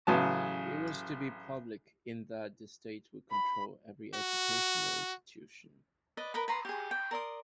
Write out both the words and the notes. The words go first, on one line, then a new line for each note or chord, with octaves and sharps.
It was to be public in that the state would control every educational institution.
A1 C#3 F#3 A5
B5
F#4
B4 D5 D#5
A#4 B4 D#5 B5
B4 A#5 C6
G4 G#4
G5
A#4 D5 C6 D#6